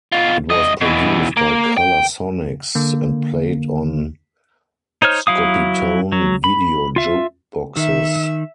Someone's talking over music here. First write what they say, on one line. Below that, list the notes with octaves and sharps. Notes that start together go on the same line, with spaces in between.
It was produced by Color-Sonics, and played on Scopitone video jukeboxes.
B2 F4
C2 D#5
B2 E3
A#3
G5
D3 A#3
D#4 C5 C#5 F6
F#3 E4 F5 D#6
F#3
B5
F4 E5
D#3 E5 E6